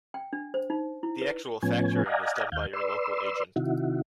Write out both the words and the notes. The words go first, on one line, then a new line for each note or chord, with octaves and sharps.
The actual factoring is done by your local agent.
G5
D4
C5
D#4
E4
B4
A2 F3 B3 C#4 G#5
D5 D#5 F5 F#5 G#5 A#5
D#2 F5 G6
B4 D5 C6 E6
C3 D#3 E4 F#4